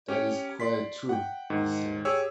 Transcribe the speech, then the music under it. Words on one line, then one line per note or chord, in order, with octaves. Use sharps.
"That is quite true," he said.
C#4 G4 C#5
D5 C6 B6
F#5 G5
G#2 D#3
G4 G#4 C#5 E6